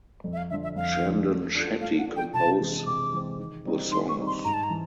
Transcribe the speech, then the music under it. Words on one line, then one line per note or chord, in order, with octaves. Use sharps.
Chandan Shetty compose the songs.
F2
E5
F5
D3 F3 E5
E5
F2 F5
D3 F3
A3
D4 F4 A4
A3 F5
F#5
D4 F4 A4
G5
C3 A5
E3 G#3 C4
C3 D6
E3 G#3 C4
D#3
G3 C4 D#4
D#3 C6
C#6
G3 C4 D#4
C6
G#2 A#5
A5
A#5
E3